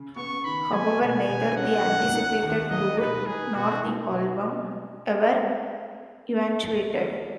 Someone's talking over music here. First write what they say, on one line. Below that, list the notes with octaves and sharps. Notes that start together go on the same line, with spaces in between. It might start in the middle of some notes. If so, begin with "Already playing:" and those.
However, neither the anticipated tour, nor the album, ever eventuated.
Already playing: C#3
B3 C#6
D#3 B5
F#3 G#5
B2 G#5
B2
C#4 F#5
F#3
D#4
D#2
F#3 D#5
B1 B4
D#4 G#4
B2 F#4
D#4
B2